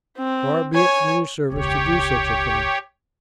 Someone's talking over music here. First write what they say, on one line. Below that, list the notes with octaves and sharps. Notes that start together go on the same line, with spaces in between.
Far be it from your servants to do such a thing!
C4
C#5 G#5
E1 C#2 G4 C#5